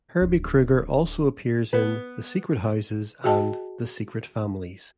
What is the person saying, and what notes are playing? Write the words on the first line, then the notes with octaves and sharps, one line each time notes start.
Herbie Kruger also appears in "The Secret Houses" and "The Secret Families".
D1 D4
B3 B4
F#4 G#4 D#5 G5 A5